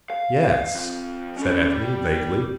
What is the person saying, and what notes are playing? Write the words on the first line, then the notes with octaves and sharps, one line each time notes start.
"Yes," said Ethne, vaguely.
F5
F2 F3
C#4 A4
G4 D5